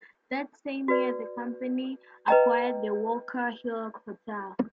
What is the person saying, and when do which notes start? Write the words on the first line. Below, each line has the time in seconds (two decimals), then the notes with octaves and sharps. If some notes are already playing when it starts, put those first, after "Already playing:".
That same year, the company acquired the Walkerhill Hotel.
0.88 F#4 B4 D5
2.28 B4 D#5 G5 A#5